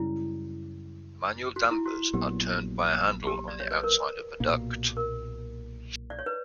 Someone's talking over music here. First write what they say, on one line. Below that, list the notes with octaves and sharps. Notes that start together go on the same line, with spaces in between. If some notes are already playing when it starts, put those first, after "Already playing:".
Manual dampers are turned by a handle on the outside of a duct.
Already playing: F#2 C#3 G3 C#4 E4
F#4
E4
F#4
A#1 A#2 F#3 B3 G4
G4
D5
C#5
B4
A#4
B1 A#2 A#3
A#4
D5
C#5
B4